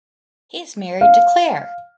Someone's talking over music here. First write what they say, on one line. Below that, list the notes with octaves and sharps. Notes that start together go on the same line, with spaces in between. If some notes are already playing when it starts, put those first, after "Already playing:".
He is married to Claire.
F5